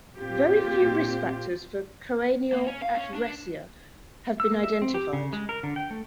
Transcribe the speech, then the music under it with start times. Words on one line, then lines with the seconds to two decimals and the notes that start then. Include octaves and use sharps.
Very few risk factors for choanal atresia have been identified.
0.19 A#2 C4 F4 G4
2.52 A#3
2.67 C#4
2.82 F5
2.97 C#4
3.15 D4
4.40 E6
4.51 A#3
4.63 E5
4.82 C4
4.94 G4
5.13 C#3
5.33 G#3
5.49 A#4
5.63 D3
5.76 G5
5.91 A3